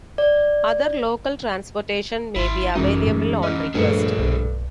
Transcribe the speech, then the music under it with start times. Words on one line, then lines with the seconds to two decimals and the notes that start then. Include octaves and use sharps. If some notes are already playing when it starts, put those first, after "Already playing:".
Other local transportation may be available on request.
0.18 D5
2.36 G#1 E4 C6
2.76 F#2 E3 G#3 D#4
3.07 A2
3.43 E3 C#4 D#5
3.74 A#1 G2 A3 D4 G#4 C#7
4.19 B1